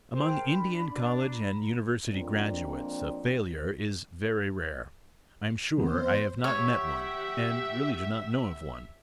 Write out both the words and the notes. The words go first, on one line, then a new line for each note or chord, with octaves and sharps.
Among Indian college and university graduates a failure is very rare; I am sure I have not met one, and really do not know of one.
G#4 A#4 C5 G5
D4 B5
D4
A#5 B5
F2 A#2 C4 D4
E3 B3 C4 C5
G4 C#5 E5 F#5